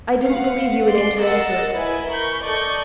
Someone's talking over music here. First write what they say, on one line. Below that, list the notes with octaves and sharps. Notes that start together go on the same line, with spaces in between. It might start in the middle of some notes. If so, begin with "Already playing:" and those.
I didn't believe you would enter into it.
B4 F5 F#5
D5 C6
A#4 D#5 F#5 E6 A6
E4 B4 D#5 G#5
A#4 B5 C#6 G6
A4 D5 D#5 C#6 G6